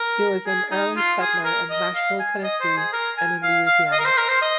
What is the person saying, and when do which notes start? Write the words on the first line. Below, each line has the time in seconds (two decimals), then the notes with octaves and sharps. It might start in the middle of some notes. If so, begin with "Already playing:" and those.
He was an early settler at Nashville, Tennessee and in Louisiana.
Already playing: A#4
0.46 G#4
0.72 D#4
0.96 F4
1.21 G#4
1.45 A#4
1.70 D#5
1.95 F5
2.19 G#5
2.44 D#5
2.60 C5
2.77 G#4
2.93 A#4
3.18 G#5
3.43 F5
3.67 F5
3.92 D#5
3.99 A#4
4.05 C5
4.17 A#4
4.29 C5
4.42 D#5